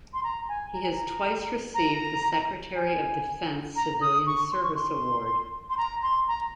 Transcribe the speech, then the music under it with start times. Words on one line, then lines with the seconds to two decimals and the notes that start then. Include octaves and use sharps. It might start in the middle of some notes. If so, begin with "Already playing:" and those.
He has twice received the Secretary of Defense Civilian Service Award.
0.14 C6
0.23 A#5
0.49 G#5
0.74 A#5
0.83 G#5
0.92 A#5
1.74 A#5
2.75 G#5
3.76 A#5
4.01 D#6
4.27 C#6
4.52 C6
4.63 C#6
4.75 C6
5.70 C6
5.77 A#5
6.03 C6
6.28 A#5